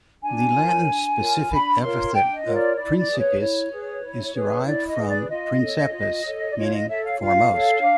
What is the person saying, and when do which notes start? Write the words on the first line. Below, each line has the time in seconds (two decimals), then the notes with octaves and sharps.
The Latin specific epithet of "principis" is derived from "princeps" meaning foremost.
0.23 D4 G#5
0.55 F4 A#4 C#5
0.86 D4
1.18 F4 A#4 C#5
1.50 D4 B5
1.81 F4 A#4 C#5 C6
2.13 D4 G5
2.34 D#5
2.45 F4 A#4 C#5
2.55 D5
2.76 E4 D5
2.97 D5
3.08 G#4 B4
3.19 C#5
3.39 E4 C#5
3.71 G#4 B4
4.03 E4
4.34 G#4 B4
4.66 E4 D5
4.87 D#5
4.97 G#4 B4
5.08 D5
5.29 F4 D#5
5.61 A4 C#5
5.92 F4
6.24 A4 C#5
6.49 D5
6.55 F4 C#5
6.71 D#5
6.87 A4 C#5 E5
7.03 F5
7.19 F4 F5
7.51 A4 C#5
7.82 D4